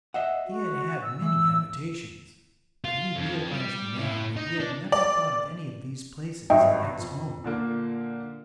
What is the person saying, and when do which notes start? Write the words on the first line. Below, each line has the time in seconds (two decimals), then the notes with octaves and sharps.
He had had many habitations, but he realized now that he had never thought of any of these places as home.
0.14 D#5 E5 F#5
0.46 F#4
1.03 E6
1.22 E3
2.84 F4
3.16 F2
3.52 G3
3.98 A2
4.36 D#4
4.60 D4
4.92 D5
6.50 G#1 G2 F#3 D#5 E5 G5
7.00 F2
7.44 A#2 D3 A#3